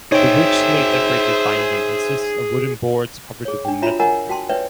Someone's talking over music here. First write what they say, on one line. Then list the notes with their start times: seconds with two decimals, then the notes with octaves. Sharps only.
The richly decorated binding consists of wooden boards covered with metal.
0.12 D#4 G#4 C5 C#5 E5 G5
3.45 G#4 C#5
3.65 D4 G5
3.82 F4 F#4 C#5 E5 A#5 B5
4.00 A#4 C#5 D#5 F#5 G#5 A#5
4.29 F#4 G5 A5 C6
4.49 B4 C#5 D5 E5 G5